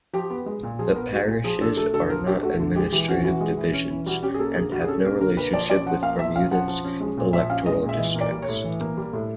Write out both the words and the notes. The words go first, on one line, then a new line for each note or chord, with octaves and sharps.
The Parishes are not administrative divisions, and have no relationship with Bermuda's electoral districts.
F3 G4
B3
G#3
A#2
F3 G#4
B3 A#4
G#3 F#4
A#2
F3 G#4
D4 A4
A3 A4
D3 A4
F3 A#4
D4 G4
A3 F#4
D3
G#3 G4
E3 G4
C#4 F#4
E3 F#4
G#3
E3
C#4
E3
G3 F#4
C#4 G4
G#4
A#3 A4
D3 G#4
G3 F#4
G#4
C#4 A4
A#3 A#4
D3 A#4
A#3 B4
F3 D5
C#4 D5
F3 F#5
A#3 F5
F3 E5
C#4 F5
F3 F#5
F3
C#4
G#3
A#2
F3 E5
C#4 F5
G#3 D#5
A#2
E5
E3 D#5
A#3
D5
G3
C#5
A2
E3
A#3
G3
A2